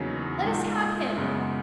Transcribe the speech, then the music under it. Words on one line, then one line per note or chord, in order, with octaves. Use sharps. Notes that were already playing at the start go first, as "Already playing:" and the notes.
Let us have him!'
Already playing: E2 C#3 F#3 A#3 D#4
A#2 G#3 D#4
F#2 C#3 G#3 B3